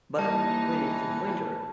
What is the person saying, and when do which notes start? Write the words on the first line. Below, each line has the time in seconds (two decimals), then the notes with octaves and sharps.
but, when it's winter,
0.19 D#2 E3 G3 D#4 A5